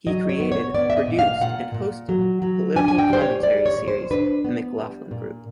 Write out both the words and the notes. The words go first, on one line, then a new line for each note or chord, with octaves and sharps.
He created, produced, and hosted the political commentary series The McLaughlin Group.
F#3 D#5
C#5
B3
C#5
B3 D5
E5
D#5
A#2
F5
A#2 F#5
A#2
F#3
F#3
D4 G#5
G#5
G5
G3 C5
C#5
G3 D5
C#5
A#2
C5
D4 B4
B3
G3
A#2